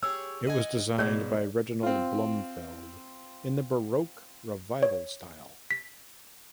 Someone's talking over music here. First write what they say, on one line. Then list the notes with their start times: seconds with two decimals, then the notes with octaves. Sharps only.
It was designed by Reginald Blomfield in the Baroque revival style.
0.03 G4 G#4 C#5 E6
0.47 D#5 F#5 G#5
0.98 G#2 B2 F3 G#4 C#5 D5
1.83 C4 F4
4.83 C#5
5.71 B6